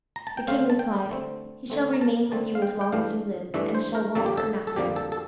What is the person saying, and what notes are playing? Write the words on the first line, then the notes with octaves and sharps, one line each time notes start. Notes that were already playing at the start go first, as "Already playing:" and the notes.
The king replied, "He shall remain with you as long as you live, and shall want for nothing."
A#5
A5
G5
D3 A3 C4 F5
A5
G5
D3 A3 C4
D3 A3 C4
A#5
A5
D3 A3 C4 A5
F5
G5
G5
G2 E3 A3 D4 F5
G2 E3 A3 D4 E5
C5
A#4
F2 D3 G3 A#3 A4
G4
A4
A4
F2 D3 G3 A#3 G4
A4
A4